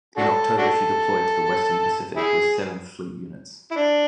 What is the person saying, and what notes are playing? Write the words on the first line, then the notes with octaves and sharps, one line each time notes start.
In October she deployed to the Western Pacific with Seventh Fleet units.
D4 F#4 A4
D4 F#4 A4
E4 G#4
E4
D4